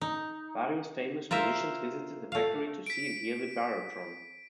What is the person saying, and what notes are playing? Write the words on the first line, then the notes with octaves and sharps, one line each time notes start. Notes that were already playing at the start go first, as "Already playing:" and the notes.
Various famous musicians visited the factory to see and hear the Birotron.
D#4
F4 A#4 C5 E5
A3 F5
B6 D7